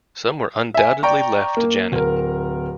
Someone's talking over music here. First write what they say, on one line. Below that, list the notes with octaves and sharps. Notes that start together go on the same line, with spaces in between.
Some were undoubtedly left to Janet.
E5 G#5
D5 G5 A#5 C#6
A#3
D1 A#4